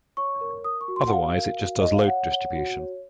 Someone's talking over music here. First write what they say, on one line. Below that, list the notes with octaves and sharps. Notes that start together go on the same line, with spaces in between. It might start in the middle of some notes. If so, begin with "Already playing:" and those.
Otherwise it just does load distribution.
C#5 C#6
A#4
A#4 D#6
C#6
F#4
C6
F#5
F#4 F5
A#4
F#4
C#5 D#5
F5
C#5 F#5
C#5
F#4
C#5